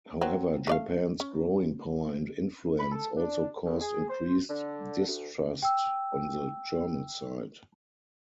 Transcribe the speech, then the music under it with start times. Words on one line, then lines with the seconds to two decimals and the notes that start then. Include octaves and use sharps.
However, Japan's growing power and influence also caused increased distrust on the German side.
0.21 F#3 C4
0.67 A3 D5 F5
1.20 C#4
2.79 B5
2.92 A4
3.17 D4
3.65 C2
3.80 G#4
4.09 C5
4.49 D3
5.07 D2
5.63 G5 E6